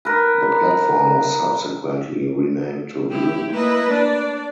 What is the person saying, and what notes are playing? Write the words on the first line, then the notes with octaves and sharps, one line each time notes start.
The platform was subsequently renamed to Bloom.
A#4 B4
E4 G4
A3 A#3 E4 B4 D#5
D4 D5